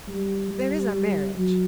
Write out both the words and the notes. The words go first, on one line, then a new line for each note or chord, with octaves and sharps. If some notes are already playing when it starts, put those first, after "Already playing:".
There is our marriage....'
G3
G3
F#3